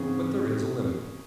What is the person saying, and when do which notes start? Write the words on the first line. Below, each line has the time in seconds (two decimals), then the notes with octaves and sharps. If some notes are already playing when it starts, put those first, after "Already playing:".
But there is a limit.
Already playing: G#2 C#3 E3 G#3 C4